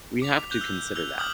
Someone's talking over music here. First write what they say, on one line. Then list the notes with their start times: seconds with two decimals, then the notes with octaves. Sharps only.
We have to consider that.
0.22 D6 B6 F7
0.50 F#6 G6 F7 G7
0.61 E6
0.95 E6 F7
1.18 D6 D#6 F6 G6 F#7